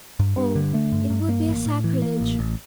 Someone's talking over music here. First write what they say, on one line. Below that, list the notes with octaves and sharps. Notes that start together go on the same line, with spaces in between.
Oh, it would be a sacrilege.
G2
G2
D3
A3
G2
G2
A#3
A1
A2
E3
A#3
A1
A1